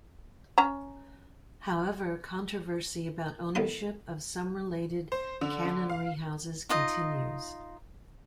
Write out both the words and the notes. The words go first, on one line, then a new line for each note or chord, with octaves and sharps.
However, controversy about ownership of some related canonry houses continues.
C#4 A#5
A2 D#3 B3 B4 F5 C6
C5
D3
D3
F5
D#4 F4 D#5